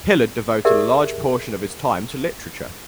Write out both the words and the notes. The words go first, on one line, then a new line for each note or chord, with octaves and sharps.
Hillard devoted a large portion of his time to literature.
G4 G#4 A#4 D5 E5